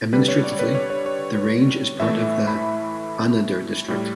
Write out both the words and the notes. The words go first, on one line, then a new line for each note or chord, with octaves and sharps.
Administratively the range is part of the Anadyr District.
D3 G3 B4
C#5
D5
B4
C#5
C#5
C#5
A2 E3 A3 E5
B5
A2 G3